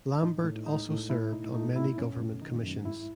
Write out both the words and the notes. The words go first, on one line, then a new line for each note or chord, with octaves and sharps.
Lambert also served on many government commissions.
A2 D#4
A2
G#3 D#4
A2
A3 E4
B2 D#4
A3 D#4
B2 E4
F#2 C#4
A3
D#3 D#4
F#2
G#2 E4